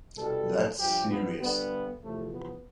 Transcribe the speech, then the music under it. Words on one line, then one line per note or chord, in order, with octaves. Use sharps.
That’s serious.
C2 B2 G3 A4
G2 F3 G4
B3
G2 D3 G3 B3
E2 C3 F3 A3
B3